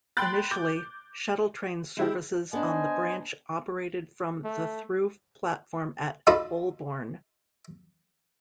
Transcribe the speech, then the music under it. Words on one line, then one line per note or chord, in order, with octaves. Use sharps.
Initially, shuttle train services on the branch operated from the through platform at Holborn.
G5 B5 C6 F#6 A6
D6 G6
G#3 E4 G4
B3 D4 C5 D#5 G#5
A3
D#4 F4 A4 D5 B5